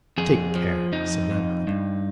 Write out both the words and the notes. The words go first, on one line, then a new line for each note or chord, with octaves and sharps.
'Take care,' said Riderhood.
F2 G#4
F3
F2 D#4
F2
G2